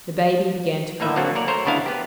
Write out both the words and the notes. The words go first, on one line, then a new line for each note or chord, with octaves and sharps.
The baby began to cry.
A2 A#3 D#4 B4 E5
F#3 A#3 C4 D4 F#4
A#3 A#4 C#5 D5
A3 A#4 C5 C#5
D2 C#3 B3 D4 E4 F5
B3 G4